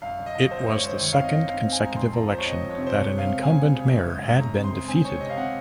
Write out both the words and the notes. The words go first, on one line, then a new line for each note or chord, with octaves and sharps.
It was the second consecutive election that an incumbent mayor had been defeated.
F#2 F5
F#2
D#5
F#2
F#2 C5
G#3 C#5
F#2 C5
D#3 C#5
C4 F5
D#5
D#3
C4 F5
C4
G#5
G#3 A#5
F2 C6
F3 A#5
F3 C5
C#5
F2 D#5
F3
C#5
C3
C5
C4 C#5
G#3
F5
C4
C#3 G#5
C#3
C#3
F#2
G#3
F#2
G#3 A#5
C4
C6
G#3
C4 G#5
C3 C#5
C3 D#5
F5
C3 F#5